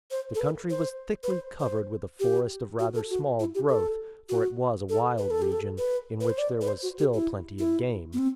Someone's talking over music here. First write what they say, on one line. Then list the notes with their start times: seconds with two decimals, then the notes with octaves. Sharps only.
The country was thickly covered with a forest of rather small growth, for it was a wild region, in which there was still plenty of game.
0.11 C5
0.35 A4
0.40 B4
0.70 C5
1.23 B4
1.30 C5
1.60 C5
2.20 G4
2.79 F#4
2.95 A4
3.10 F#4
3.40 E4
3.55 G4
3.69 A4
4.29 F#4
4.89 A4
5.18 B4
5.30 A4
5.42 G4
5.52 A4
5.78 B4
6.21 B4
6.30 C5
6.38 D5
6.61 B4
6.68 C5
6.83 F#4
6.99 G4
7.14 E4
7.59 E4
8.13 B3
8.18 C4